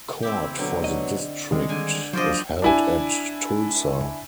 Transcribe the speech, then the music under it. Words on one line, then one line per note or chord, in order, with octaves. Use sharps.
Court for the District is held at Tulsa.
C4 E4 G4
B2 D3 F#3
D#5
D#3 G3 G#3 C4
D3 G#5
F3 F#3 D4 C5 D5 D#5
D4 E4 G#5